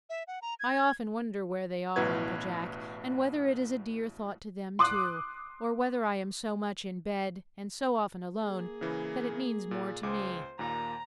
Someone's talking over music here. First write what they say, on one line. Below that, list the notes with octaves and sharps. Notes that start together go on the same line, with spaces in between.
I often wonder where they are, Uncle Jack, and whether it is a dear thought to them, too, or whether I am so much in bed, and so often alone, that it means more to me.
E5
F#5
A#5
G#6
A1 B2 E4 F#4 B4 G#6
C6 D6 D#6 F#6
A#3 G#4
C#3 E3
A#2
C#2 G#4 C5 D6
D#2 A#2 A#3 A#5